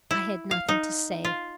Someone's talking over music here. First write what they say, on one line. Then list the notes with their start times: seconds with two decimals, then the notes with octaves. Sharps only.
I had nothing to say.
0.11 E4
0.51 F5
0.69 D#4
1.25 F4